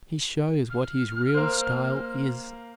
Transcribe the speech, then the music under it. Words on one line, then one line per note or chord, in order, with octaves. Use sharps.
He shows what his real style is.
F6
A#3 C5